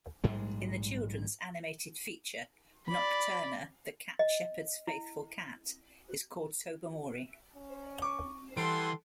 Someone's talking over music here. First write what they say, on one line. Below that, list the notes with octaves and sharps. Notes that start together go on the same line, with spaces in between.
In the children's animated feature, Nocturna, the Cat Shepherd's faithful cat, is called Tobermory.
A#1 G#2 G3 G#3
D5 B5
D#5
E4
C#4
C#6 D6
E3 G3 A4 F#5 C6 D7